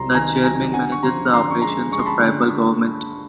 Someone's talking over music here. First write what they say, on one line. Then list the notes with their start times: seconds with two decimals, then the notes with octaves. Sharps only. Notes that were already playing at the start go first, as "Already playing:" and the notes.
The chairman manages the operations of tribal government.
Already playing: C2 C3 F#3 A#5 C6
0.14 D#3 G#5 A#5
0.44 F#3 G#5 A#5
0.73 D3 F#5 G#5
0.92 C#6
1.03 F3 A#5 C6
1.32 D3 A#5 C6
1.50 C#6
1.62 G#3 A#5 C6
1.91 G#3 C#6
1.99 C6
2.06 A5 B5
2.22 D3